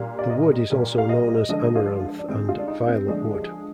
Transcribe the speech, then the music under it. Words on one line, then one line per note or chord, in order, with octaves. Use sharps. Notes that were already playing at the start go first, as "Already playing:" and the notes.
The wood is also known as amaranth and violet wood.
Already playing: A#2 G3 F5
D5
D#5
A#2 G3
F5
D#5
D3 F3 G#3 D#5
F4
D4
D3 G#3 C4
F4
D4
D#4
C4
D3 F3 G#3 D4
G#4